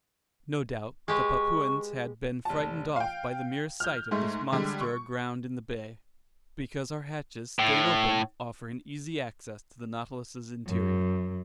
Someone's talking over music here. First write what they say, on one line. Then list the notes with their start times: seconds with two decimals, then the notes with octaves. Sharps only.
No doubt the Papuans had been frightened off by the mere sight of this monster aground in the bay, because our hatches stayed open, offering easy access to the Nautilus's interior.
1.08 G#3 G4 B4 C#6
2.45 F1 A5
2.96 F5 G5
3.80 F6 G6
4.11 G#2 G#3 A3
4.52 D3 G3 G#3
4.81 C#6
7.59 A2
10.66 F#2